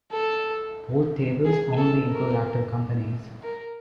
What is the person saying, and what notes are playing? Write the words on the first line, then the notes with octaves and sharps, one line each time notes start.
Both tables only include active companies.
A4
G#4
A4
A#4
A#4